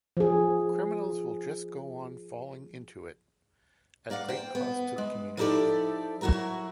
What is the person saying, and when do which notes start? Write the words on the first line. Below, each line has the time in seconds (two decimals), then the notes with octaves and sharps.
Criminals will just go on falling into it, at great cost to the community.
0.17 F3 G#4
4.10 A#3 D5 F5 F#5
4.28 C5 G5
4.55 B3
4.98 G#3
5.37 F3 D#4 E4 G4 A4 D5
6.21 F#3 E4 F#4 A#4 A#5